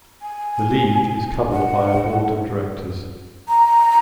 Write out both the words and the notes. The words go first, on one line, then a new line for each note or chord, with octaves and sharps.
The League is governed by a Board of Directors.
G#5
F#5
A#5